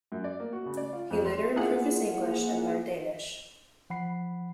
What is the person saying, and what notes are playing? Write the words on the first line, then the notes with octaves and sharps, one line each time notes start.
He later improved his English and learned Danish.
F#2
D5
A#3
F#4
C#3
D5
F4
F2
C6
A#3 E4 F4 G#4 F#5
F3 F#5 B5 C7